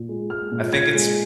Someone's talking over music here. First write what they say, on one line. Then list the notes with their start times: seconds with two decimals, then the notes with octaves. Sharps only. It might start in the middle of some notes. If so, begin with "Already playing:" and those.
I think it's
Already playing: A#2
0.09 G#3
0.30 G#3 F6
0.51 A#2
0.73 A#2 G#6
0.94 G#3